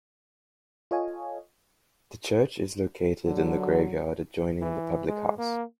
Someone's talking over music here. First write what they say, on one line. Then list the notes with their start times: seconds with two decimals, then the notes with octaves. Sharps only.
The church is located in the graveyard adjoining the public house.
0.91 F4 A4 C#5 D#5 F5 G#5
3.26 D3 F#3
4.62 E3
5.07 G#3
5.38 A#3